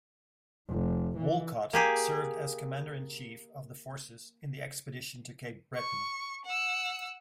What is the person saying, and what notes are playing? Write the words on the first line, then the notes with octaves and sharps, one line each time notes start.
Wolcott served as Commander-in-Chief of the Forces in the Expedition to Cape Breton.
F1
E3
A#3 G4 G#4
C#6
F#5 E6